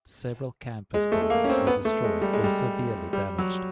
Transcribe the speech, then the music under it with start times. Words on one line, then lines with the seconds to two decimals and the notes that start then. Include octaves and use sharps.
Several campus buildings were destroyed or severely damaged.
0.94 G#3
1.12 A3
1.22 A3
1.30 A#3
1.44 C#4
1.50 C4
1.67 B3
1.85 A3
2.04 G#3
2.22 G3
2.33 G#3
2.44 G3
3.13 G3
3.39 F#3